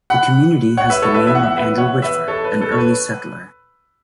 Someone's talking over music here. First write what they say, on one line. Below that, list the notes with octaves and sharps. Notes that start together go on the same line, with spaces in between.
The community has the name of Andrew Whitford, an early settler.
F#5 B5
C#5 F#5
B4 E5
A4 C#5
B4 E5
E3 B3 E5
F#5
E5
F#5
B4 E5
C#5 F#5
B4 E5
A4 C#5
B4
A4
C#5
B4